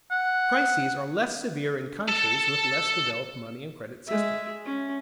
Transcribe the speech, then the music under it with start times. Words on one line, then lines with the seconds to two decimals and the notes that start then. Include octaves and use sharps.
Crises are less severe in countries with less developed money and credit systems.
0.11 F#5
2.08 A4 A5
4.07 G#3 E5
4.65 C#4